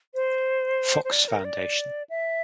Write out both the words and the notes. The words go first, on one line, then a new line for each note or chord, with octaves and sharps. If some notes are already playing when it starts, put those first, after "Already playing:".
Fox Foundation.
C5
C5
D5
A#4
D5
E5